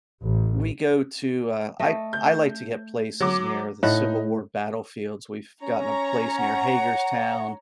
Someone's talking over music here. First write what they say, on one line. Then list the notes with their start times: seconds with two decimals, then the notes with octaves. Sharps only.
We go to, uh I I like to get places near the Civil War battlefields. We've gotten a place near Hagerstown,
0.23 A1
1.80 A3 D#5
2.13 G6
3.20 F#3 D6
3.83 A2 D#4 F#5
5.63 C#4 C#5 A#5
6.38 F#5